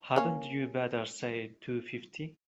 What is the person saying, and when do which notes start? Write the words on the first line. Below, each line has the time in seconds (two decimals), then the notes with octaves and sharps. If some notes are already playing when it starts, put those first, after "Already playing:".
Hadn't you better say two fifty?
0.16 A#3 C#4